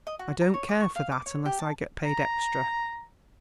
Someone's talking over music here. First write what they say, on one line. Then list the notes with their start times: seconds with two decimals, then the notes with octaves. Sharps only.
I don't care for that, unless I get paid extra.
0.07 D#5
0.19 F#4
0.42 A#5
0.54 C#5
0.69 D6
0.81 C#6
0.96 F5
1.12 D6
1.26 C#5
1.45 G4
1.59 A5
2.04 A#5